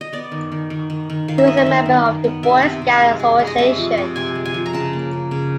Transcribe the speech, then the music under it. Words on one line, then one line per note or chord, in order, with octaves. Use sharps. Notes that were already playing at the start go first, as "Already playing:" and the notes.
He was a member of the Boy Scout Association.
D#5
B3 D5
D#3
D#3
D#3
D#3
D#3
D#3 F5
E5
B3 D#5
E5
D#3
D#3
D#3
B3
C3 E5
C3
C3
G#3
G#3
G#3
D#5
C3 E5
F3
C3
C3 G#5
G#3
G#5
F3
A#5
C#3 A5
A#3
C#3
C#3